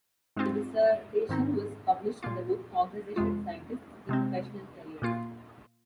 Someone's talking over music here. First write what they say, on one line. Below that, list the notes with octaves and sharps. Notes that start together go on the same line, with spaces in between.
The dissertation was published in the book "Organizational Scientists: Their Professional Careers".
G#2 G#3 C4 F4
G#2 D#3 C4 D#4
A#2 A#3 F4
F2 C3 G#3 F4
C3 G#3 C4
A#2 A#3 F4